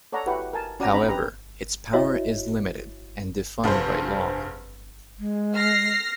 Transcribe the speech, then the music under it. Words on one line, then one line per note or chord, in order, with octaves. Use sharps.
However, its power is limited and defined by law.
A4 C#5 D5 F#5 A#5
E4 F#4 G4 B4 F#5
A#4 G#5 A5
C#4 F#4 D5 F#5 G5 A#5
C4 D4 D#4 A#5 B5
G4 B4 A#5
E4 F#4 C#5 D#5 E5
F1 G2 G#4 C5
G#3
F6 A#6 C7